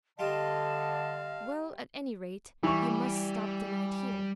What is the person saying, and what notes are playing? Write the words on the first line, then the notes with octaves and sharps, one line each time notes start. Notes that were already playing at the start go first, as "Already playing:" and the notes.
"Well, at any rate, you must stop the night here."
D3 G3 F4 G4 D#5 F5 A5
E3 G3 C#6